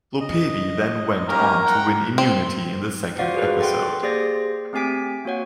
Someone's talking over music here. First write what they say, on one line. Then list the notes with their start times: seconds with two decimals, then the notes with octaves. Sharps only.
Lopevi then went on to win immunity in the second episode.
0.20 D#5
1.28 A#3 C#4 D#4 G4 A#4 A#5
1.66 F#5 G5
2.18 C4
3.18 F4 F#4 C5 D5 F5 F#5
3.36 F#4 G#4 A#4 B4
3.60 A4 D5 F#5 G5 C6
4.02 A#3 G4 G#4 C5 D5 A#6
4.73 A3 C4 G4 G#5 B6 D7
5.25 A#3 F#4 C#5 F#5